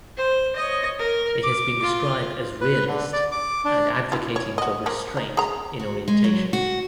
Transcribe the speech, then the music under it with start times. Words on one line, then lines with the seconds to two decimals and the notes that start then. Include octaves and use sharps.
It has been described as "realist" and advocating for "restraint" in orientation.
0.17 C5
0.56 C#5 D#5
0.99 A#4
1.43 D6
1.82 F4
2.61 B4
2.88 D3
3.13 D5
3.32 D6
3.65 D4
4.12 E4 F4
4.36 C#5
4.58 F#4 D#5
4.86 F3 A#3
5.17 D#4
5.37 G#4 A#5
5.79 F#4
6.08 G#3
6.24 F#3
6.53 F#4